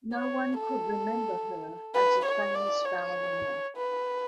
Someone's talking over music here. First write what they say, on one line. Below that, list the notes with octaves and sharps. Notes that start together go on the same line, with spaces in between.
No one could remember her as a famous ballerina.
C#5
A4
B4
C#5
D5
C#5
B4